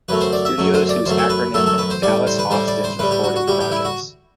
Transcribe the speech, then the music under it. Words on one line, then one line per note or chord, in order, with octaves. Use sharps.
Studios, whose acronym meant "Dallas Austin's Recording Projects".
F#2 F#3 A3 B4
C5
D5
E5
F#2 F#3 A3
C5
D5
F#2 F#3 A3 C5
A4
B4
F#2 F#3 A3 A4
A4
B4
C5
A2 G3 D5
C5
B4
A2 G3 C5
D5
C5
A2 G3 B4
G4
F#4
F#4
A2 G3 G4
G4
E4
F#4